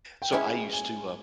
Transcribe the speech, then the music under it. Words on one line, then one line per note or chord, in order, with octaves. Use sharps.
So I used to, um
G5
G#3 C#4 E4 G#5
G#5